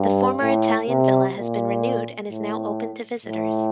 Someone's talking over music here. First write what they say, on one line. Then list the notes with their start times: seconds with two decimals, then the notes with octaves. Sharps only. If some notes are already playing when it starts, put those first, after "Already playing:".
The former Italian villa has been renewed and is now open to visitors.
Already playing: G2
0.41 A2
0.88 C3
1.37 A#2
2.31 A2
3.26 A2